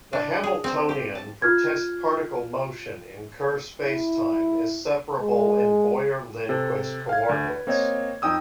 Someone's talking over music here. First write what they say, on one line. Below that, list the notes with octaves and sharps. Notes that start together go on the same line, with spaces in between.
The Hamiltonian for test particle motion in Kerr spacetime is separable in Boyer-Lindquist coordinates.
D4
G#4
C4
G4
A5
F4 F6 G#6
E4
G#3
C3 A4 C5
F5 G#6
D2
B4
A#3 C4 C#5 D#5 G#6
F2 D#4 G5 D#6 E6